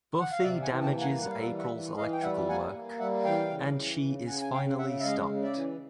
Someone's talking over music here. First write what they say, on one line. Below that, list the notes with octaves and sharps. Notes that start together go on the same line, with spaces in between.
Buffy damages April's electrical work, and she is finally stopped.
F#5
F5
C3 D5 E5
F#5 G#5
E3
G5 A5
A#3
F#5 G#5
G3 F#5
F5
E5 F#5
E3
E5 F#5
E3
E3 D#5 F5
G5
G3 E5 F#5
A#3 F#5 G#5
A#3
G3 E5 F#5
E3 F5 G5
C#3
E3
C#3
C#3 F#5 G#5
G#5
C#3 F5 G5
C#3 E5 F#5
E5
G#3 D#5 F5
C#3
D5 E5
E3